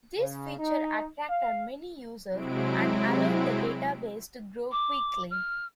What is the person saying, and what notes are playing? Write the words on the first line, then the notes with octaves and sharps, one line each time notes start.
This feature attracted many users and allowed the database to grow quickly.
C#3
D#4
F5
C3 F#3 G#3 C4 E4 D7
D6
F6